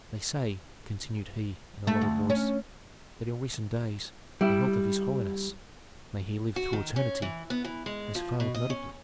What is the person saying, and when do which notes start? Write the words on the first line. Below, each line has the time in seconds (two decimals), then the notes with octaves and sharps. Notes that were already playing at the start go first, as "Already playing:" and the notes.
"They say," continued he, in a lowered voice, "that in recent days the health of his holiness--may he live through eternity!--has failed notably."
1.87 A3
2.01 D2
2.30 C#4
4.41 G3 E4
6.56 F#4
6.73 D#3
6.96 C#4
7.22 E3
7.50 B3
7.64 E3
7.86 G#3
8.15 F3
8.40 B2
8.55 D#5
8.70 C#4